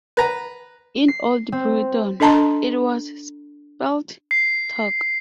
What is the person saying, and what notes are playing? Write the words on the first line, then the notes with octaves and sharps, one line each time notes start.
In Old Breton, it was spelled "toc".
B4 A#5
C7
C4
D4 A4 D#5 A5 A#5 C6
C7